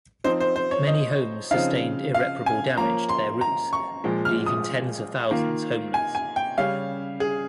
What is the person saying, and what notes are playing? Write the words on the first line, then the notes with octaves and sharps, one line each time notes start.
Many homes sustained irreparable damage to their roofs, leaving tens of thousands homeless.
F3 C4 D#4 C5
C5
C5
C#5
D#5
C#3 F3 C4 D#4 F5
F5
G#5
F3 A#3 C#4 A#5
C6
A#5
C#6
A#2 F3 G#3
F6
D#6
D#3 A#3 F4
G#5
G#5
G5
C#3 G3 C#4 F5
G#4